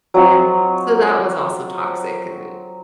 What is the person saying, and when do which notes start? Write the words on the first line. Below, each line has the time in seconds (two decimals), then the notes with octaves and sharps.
And so, that was also toxic 'cause it'd
0.14 F#3 C4 F4 D#5